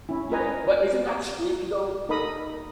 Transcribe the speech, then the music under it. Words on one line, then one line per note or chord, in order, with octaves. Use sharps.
Yeah, but isn't that streaming, though?
C#4 E4
A#4 B4 D#5 G#5 A#5
D#4 A4 A#4 D#5 B5 D#6